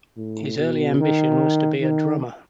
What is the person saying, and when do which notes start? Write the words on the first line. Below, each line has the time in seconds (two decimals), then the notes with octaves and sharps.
His early ambition was to be a drummer.
0.17 A2
0.58 B2
1.00 D#3
1.81 D#3